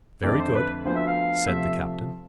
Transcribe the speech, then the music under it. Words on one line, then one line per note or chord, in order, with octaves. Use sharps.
"Very good," said the captain.
F2 D3 A3 D5
C5
B4
D2 D3 F3 B3 C5
E5
F5
C3 F3 A3 E5